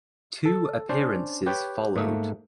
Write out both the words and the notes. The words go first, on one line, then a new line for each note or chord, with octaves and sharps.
Two appearances followed.
A4
C#4 D4 C5 D5
G4 B4 C#5 G5
G#2 A3 A#3